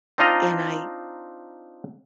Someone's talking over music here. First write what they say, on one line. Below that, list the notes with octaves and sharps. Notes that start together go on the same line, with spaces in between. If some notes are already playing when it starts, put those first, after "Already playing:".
and I
C4 D4 D#4 F4 D#5 A#5